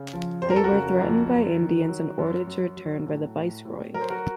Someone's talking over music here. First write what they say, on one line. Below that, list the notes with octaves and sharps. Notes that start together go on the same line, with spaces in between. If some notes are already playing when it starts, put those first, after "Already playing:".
They were threatened by Indians and ordered to return by the viceroy.
Already playing: C#3
F3
F2 C5
A#4
A4
F#4 A#4
C#3
F2
F#2
D#3
F#3
F#2
F#2
F#3
A2
A2
A2
F#3 A#4
C5
F#4 A#4